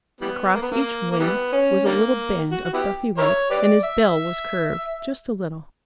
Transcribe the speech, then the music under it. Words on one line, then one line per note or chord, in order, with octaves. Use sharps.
Across each wing was a little band of buffy-white, and his bill was curved just a little.
E3 G3 B3
A#3
B3
A#3
A#3
E3 G3 B3
C#4
D3 G3 A#3
F#4
F#4
B3 E4 G4
E4 A#4 C#5
G4 B4 D5
E5